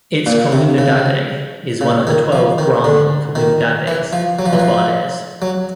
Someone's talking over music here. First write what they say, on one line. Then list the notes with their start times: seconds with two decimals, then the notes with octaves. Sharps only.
Its comunidade is one of the twelve Brahmin comunidades of Bardez.
0.26 A#2
0.52 C3
0.78 C#3
1.81 C#3
2.07 D#3
2.32 F3
2.58 D#3
2.84 D3
3.35 D#3
3.87 E3
4.13 F3
4.39 F#3
4.46 F3
4.53 E3
4.60 F3
5.42 F#3